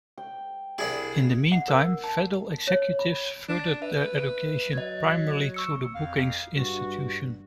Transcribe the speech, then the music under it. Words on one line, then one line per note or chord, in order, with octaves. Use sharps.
In the meantime, federal executives furthered their education primarily through the Brookings Institution.
G5
C2 D4 E4 G#4
F#5
A#4
A5
C#5
B5
D4
B4 E5
F#3 D#5 G#6
C#6 E6 C#7
F2 F5
G2 F#4